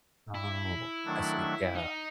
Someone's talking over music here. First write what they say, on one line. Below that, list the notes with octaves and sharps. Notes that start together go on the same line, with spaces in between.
Oh, I see, yeah.
E4
D#3 F#3 A3 D4
D#4